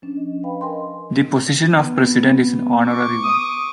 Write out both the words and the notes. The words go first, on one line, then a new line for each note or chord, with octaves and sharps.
The position of President is an honorary one.
F3 C#4 D4
D#5
B4 D#5 F5 G5 B5
A#4 D#5 G5 G#5 C6
B3
C#6 D6
D#6